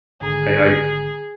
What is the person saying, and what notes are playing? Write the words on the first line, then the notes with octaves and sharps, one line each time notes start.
I I
G#1 D3 G#4 A#5